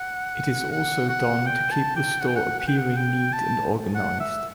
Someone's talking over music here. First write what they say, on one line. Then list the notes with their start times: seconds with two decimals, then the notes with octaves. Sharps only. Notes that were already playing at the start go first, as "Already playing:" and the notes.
It is also done to keep the store appearing neat and organized.
Already playing: F#5
0.73 F#5
1.09 F#5
1.47 G5
1.72 A5
1.97 G5
2.21 F#5
2.29 G5
2.36 F#5
2.59 F#5
2.68 G5
2.77 F#5
2.97 G5
3.34 A5
3.96 F#5
4.20 E5